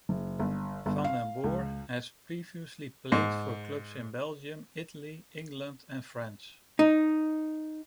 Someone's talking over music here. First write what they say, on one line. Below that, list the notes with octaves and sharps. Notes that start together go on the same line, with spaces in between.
Vanden Borre has previously played for clubs in Belgium, Italy, England and France.
F#1
G1
G1
F5
C#2
G#2
D#4